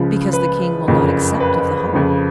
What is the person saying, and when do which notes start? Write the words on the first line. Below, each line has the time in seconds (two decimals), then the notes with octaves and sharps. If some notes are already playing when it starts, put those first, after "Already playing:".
"Because the king will not accept of the whole."
Already playing: C#2 C#3 F3
0.33 B4
0.87 F#1 F2 C#3
1.40 B4
1.93 F2 C#3 F3